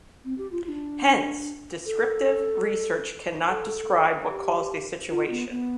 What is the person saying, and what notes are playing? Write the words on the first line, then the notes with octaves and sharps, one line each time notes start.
Hence, descriptive research cannot describe what caused a situation.
C4
G4
F4
F4
D4
A4
A4
G4
F4
B3
B3